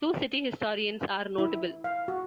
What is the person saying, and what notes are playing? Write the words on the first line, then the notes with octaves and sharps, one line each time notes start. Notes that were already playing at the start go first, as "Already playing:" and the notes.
Two city historians are notable.
E4
F5
F#4